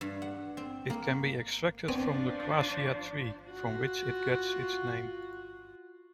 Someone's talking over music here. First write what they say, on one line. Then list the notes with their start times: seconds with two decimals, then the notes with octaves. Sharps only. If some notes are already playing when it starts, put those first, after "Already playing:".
It can be extracted from the quassia tree, from which it gets its name.
0.01 G2
0.22 F#5
0.57 C4
0.90 A#3
1.88 F3 B3 C4 D4 G#5
3.48 F4 F#4